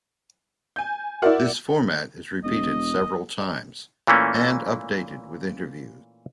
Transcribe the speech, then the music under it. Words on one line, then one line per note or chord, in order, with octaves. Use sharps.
This format is repeated several times and updated with interviews.
G#5 G6
E4 F#4 A#4 D5 E5 F#5
E1 D#5
A#2 E3 A3 A#3 C#4